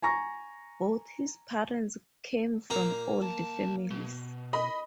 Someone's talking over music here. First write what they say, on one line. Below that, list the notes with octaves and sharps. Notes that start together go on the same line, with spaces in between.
Both his parents came from "old" families.
G#5 A#5 C#6 A#6
A#2 A#3 A#5
C2 A5
B2
D#5 B5